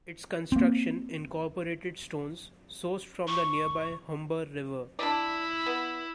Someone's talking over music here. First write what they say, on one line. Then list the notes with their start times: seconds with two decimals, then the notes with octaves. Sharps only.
Its construction incorporated stones sourced from the nearby Humber River.
0.52 A#3 C4
3.28 C#6
4.99 D4 E4 D5
5.66 B3